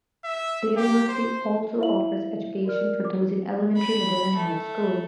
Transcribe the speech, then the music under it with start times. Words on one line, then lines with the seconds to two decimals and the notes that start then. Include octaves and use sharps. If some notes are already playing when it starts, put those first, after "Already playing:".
The university also offers education for those in elementary, middle, and high school.
0.25 E5
0.77 G4
1.08 C5
1.79 E4 C5 E5 F5 F#7
2.65 F#4 A#4 D5 F6
3.05 D6
3.77 B5
4.36 A3